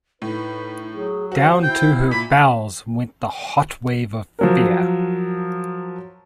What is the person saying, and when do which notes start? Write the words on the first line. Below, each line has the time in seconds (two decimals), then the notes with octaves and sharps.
Down to her bowels went the hot wave of fear.
0.22 A2 D#4 B4
0.94 F#3 G#4
1.32 F#4 C5 F5
1.63 E4 G5
2.11 A#2 B5
4.39 F3 F#3 A#4